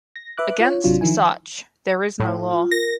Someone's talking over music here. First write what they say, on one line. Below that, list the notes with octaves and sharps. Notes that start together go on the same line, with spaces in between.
Against such there is no law.
A#6
B4 E5 D6 F#6
F4 C#5
G#1 C3 F#3 D4 F4
D#3 F3 E4 G#5
A2
F4
A#4 A#6